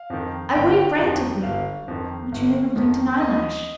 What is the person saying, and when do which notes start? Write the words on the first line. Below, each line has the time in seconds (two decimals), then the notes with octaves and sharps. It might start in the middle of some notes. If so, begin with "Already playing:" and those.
I waved frantically, but you never blinked an eyelash.
Already playing: F5
0.10 F2 D#3
0.54 G1 G5
0.98 F2 D#3
1.43 G1 F5
1.88 F2 D#3
2.32 G1
2.76 F2 D#3
3.20 D#2 D#5